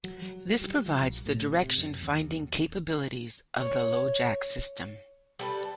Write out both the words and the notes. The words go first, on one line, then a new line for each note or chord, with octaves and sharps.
This provides the direction finding capabilities of the LoJack system.
F#3
F#3
G3
F3
A#1
A2
C3
F#2
D#2
C#5
G3 A4 B4